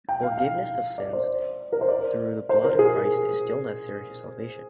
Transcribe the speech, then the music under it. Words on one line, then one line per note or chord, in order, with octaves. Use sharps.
Forgiveness of sins through the blood of Christ is still necessary to salvation.
G5
F5
F5
D5
C5
A#4
C5
D5
C5
A#4
G#4